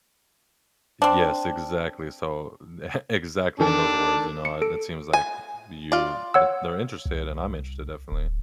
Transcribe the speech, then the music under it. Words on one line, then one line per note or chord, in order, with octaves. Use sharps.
Yes, exactly. So the exactly in those words, you know? I it seems like you at they're interested, and I'm interested definitely,
C4 D4
D#3 D4 A4 A5
C#7
A4 D7
G#5
F4 D5
C#5 F#5 E6
C2
D1